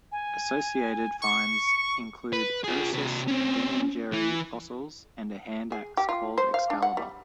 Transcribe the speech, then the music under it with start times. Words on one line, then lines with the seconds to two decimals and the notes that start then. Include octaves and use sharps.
Associated finds include "Ursus deningeri" fossils and a hand axe called "Excalibur".
0.12 G#5
1.22 C#6 C#7
2.33 B4
2.64 F4 G#4
2.94 C3 B4
3.28 C4 C#4
4.12 E3
5.72 G#4
5.97 G4
6.09 F4
6.38 C5
6.54 F5
6.70 D4
6.82 F#5
6.97 G3